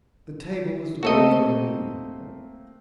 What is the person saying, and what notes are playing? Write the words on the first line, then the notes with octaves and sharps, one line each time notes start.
The table was laid for a meal.
A3 A#3 C4 F#4 A4 D#5